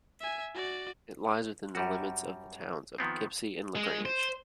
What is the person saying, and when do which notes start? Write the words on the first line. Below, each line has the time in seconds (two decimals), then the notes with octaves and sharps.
It lies within the limits of the towns of Poughkeepsie and LaGrange.
0.20 E5 G#5
0.54 F#4 D5
1.75 F#2 G3 F#4
2.98 D#3 F3 B3 C4
3.76 G#3
4.06 C5